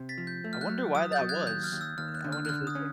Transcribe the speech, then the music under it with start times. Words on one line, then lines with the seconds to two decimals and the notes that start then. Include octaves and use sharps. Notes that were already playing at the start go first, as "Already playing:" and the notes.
I wonder why that was. Eh, I wonder if it's like
Already playing: C3
0.09 A6 B6
0.18 F3
0.27 G6
0.44 A3
0.53 F6
0.61 F#6
0.69 F#3
0.95 F#3 D#6
1.12 G6 A6
1.21 F#3
1.29 F#6 G#6
1.47 D#2 G6
1.64 F6
1.72 D#2
1.81 E6
1.98 D#2 F6
2.15 F#6
2.24 D3
2.33 F6
2.45 F#6
2.49 D3 F6
2.67 D#6
2.75 C#4